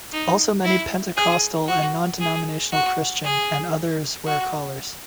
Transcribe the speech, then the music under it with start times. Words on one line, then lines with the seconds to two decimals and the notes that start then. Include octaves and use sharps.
Also many Pentecostal and non-denominational Christian, and others wear collars.
0.13 D#4
0.64 E4
1.17 G#4
1.68 F#4
2.20 G#4
2.72 F#4
3.23 G#4
4.26 F#4